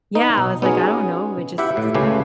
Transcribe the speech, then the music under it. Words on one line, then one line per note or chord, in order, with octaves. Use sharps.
yeah, I was like, "I don't know, I just
B3 D#4
B1
B3 C#4 D#4 F#4 G#4
E4 G4 E5 F#5 G5
A2
C#2 C#3 A3 G4 B4 G#5